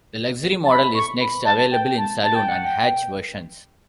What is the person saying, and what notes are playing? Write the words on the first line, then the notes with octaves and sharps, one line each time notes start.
The Luxury model is next available in saloon and hatch versions.
A5
B5
C#6
B5
A5
G5
A5
A5
G5
F#5
G5